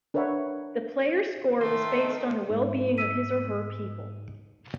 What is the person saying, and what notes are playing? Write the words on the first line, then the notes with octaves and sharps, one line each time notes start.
The player's score was based on the well-being of his or her people.
D4 A#4 B4 C#5 E5 F#5
D#3 A3 C6
G#2 D#4
E6 B6 D#7